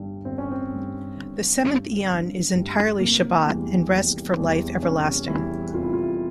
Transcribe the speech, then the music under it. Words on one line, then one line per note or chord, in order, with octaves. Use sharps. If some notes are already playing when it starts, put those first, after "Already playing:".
The seventh eon is entirely Shabbat and rest for life everlasting.
Already playing: G1 G2 G3
G1 C4
C#4
C4
G2 G3
G1
G2 G3
G1
G2 G3
F1 A#3
E2 E3 G3
F1
E2 E3 G3
F1 C#4
E2 E3 G3 E4
F1 F4
E4
F4